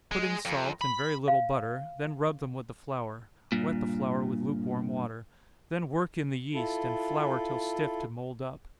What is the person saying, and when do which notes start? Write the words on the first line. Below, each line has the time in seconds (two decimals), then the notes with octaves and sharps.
Put in salt, and very little butter--then rub them with the flour--wet the flour with lukewarm water--then work in the yeast, and flour till stiff to mould up.
0.12 G#3
0.45 F2
0.81 B5
1.28 F5
3.52 G2 A#2
6.54 E4 F4 A4